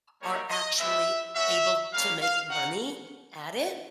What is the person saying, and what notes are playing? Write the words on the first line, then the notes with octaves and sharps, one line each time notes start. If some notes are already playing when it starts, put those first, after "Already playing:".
are actually able to make money at it.
G3 A#3 D#4 G4 C#5
D#5
G#3 B3 E4 G4 E5
A3 C#4 F#4 E5
G3 A#3 C#4 F5
F5
D#4 F#4 F#5